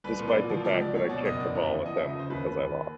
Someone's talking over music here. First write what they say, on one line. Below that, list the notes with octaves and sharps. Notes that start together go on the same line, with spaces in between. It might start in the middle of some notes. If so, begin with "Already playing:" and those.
despite the fact that I kicked the ball at them because I lo
C2 B4
A#2
D5
F#3
F3 D5
C#2 D5
C#2 D5
F#3 C#5
B2 D5
F#1 D#5
E2 D5
E2
E5
E2
F3 D#5
C#3 E5
D#5
C#3 C5
D#2 B4
D#2
D#2